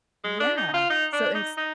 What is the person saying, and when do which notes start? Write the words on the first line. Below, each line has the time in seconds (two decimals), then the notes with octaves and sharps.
yeah, so ins
0.24 G#3
0.40 D4
0.57 D#4
0.74 F4
0.90 D#4
1.13 D4
1.35 D#4
1.57 D#4